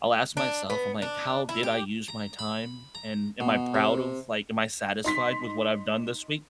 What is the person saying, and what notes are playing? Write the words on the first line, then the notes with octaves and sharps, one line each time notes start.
I'll ask myself, I'm like, "How did I use my time?" And, "Am I proud of, like, am I satisfied with what I've done this week?"
D4
B3
D4
E4
G4
A#5
B5
A#5
B2
C3
D#4 C6 B6